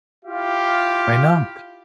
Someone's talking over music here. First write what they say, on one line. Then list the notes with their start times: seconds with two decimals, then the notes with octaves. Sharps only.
Why not?
0.25 E4 F4 G4 F5